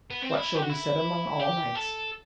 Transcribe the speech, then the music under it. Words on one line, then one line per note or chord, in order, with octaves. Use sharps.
What shall be said among all knights?
B3
C4
E4
G4
F#4
E4
G4
A4